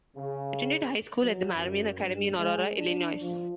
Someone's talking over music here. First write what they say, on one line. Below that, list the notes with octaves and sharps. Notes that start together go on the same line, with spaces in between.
He attended high school at the Marmion Academy in Aurora, Illinois.
C#3
F#3
F#2
G2
G#3
D4
F3